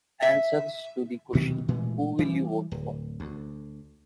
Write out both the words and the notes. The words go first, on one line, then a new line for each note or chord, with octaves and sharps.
Answers to the question, Who will you vote for?
E5
G2 B2 D#3 F#3
A#2 E3 G#3 A3
E3 G3
D1
D2